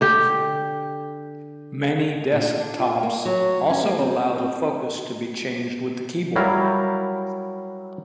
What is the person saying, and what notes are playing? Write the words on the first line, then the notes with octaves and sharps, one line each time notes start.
Many desktops also allow the focus to be changed with the keyboard.
D3 G4
A#2
D4
F4
A#3
F#3
C#4
A#3
C4
C4
F#3 G3 E4 A#4 F5